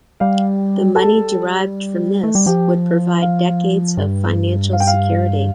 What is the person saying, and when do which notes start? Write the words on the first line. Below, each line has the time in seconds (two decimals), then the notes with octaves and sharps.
The money derived from this would provide decades of financial security.
0.20 G3 F5
0.96 G3 A4 A5
2.24 A3
2.35 G3
2.46 F3 G4 G5
3.22 F5
3.97 G2
4.73 F5
4.80 G5
4.87 F5